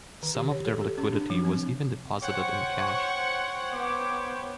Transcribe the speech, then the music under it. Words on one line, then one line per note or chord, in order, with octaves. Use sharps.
Some of their liquidity was even deposited in cash.
D#3
G4
C#5
A4
G4
C#4
D4
F3
C4
C5 C#5 F#5 G5 C#6
C#6
B3 D6